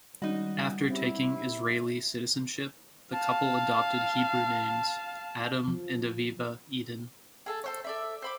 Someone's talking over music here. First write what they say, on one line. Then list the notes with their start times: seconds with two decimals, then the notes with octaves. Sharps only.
After taking Israeli citizenship, the couple adopted Hebrew names: Adam and Aviva Eden.
0.22 D#3 G3 G#3 C#4 D#4 F#4
0.90 C4 C#4 E4 G4
3.13 F5 A5
5.68 F3
7.46 G#4 A4 A5
7.64 A4 C5 C#5
7.84 A4 D5 E5
8.22 C5 B5 D6